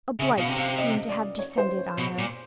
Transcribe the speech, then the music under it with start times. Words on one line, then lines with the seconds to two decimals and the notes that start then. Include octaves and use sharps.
A blight seemed to have descended on her.
0.19 C#3 E5
0.38 B2 F5
0.49 C3
0.59 F5
0.78 D#5
1.09 D5
1.39 C#5
1.58 C5
1.78 C#5
1.98 B2
2.18 A#2